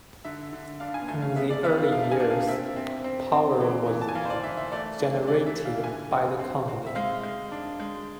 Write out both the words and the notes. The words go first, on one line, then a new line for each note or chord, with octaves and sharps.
In the early years, power was generated by the company.
D3 E5
D3
D4 F5
G#5
A3 G#5
F5
B3 E5
D5
B3 E5
F5
D4 F5
F5
G#5
D4
F5
C4 E5
C4
C4
C4
E3
E3
A5
G#5
E3 F5
C5
D5
E3 E5
E5
A3 D5
D4
E3 D5
E5
E3
F5
D3 G#5
C4
C4
C4
E5
G#3 F5
G#3
D4
G#3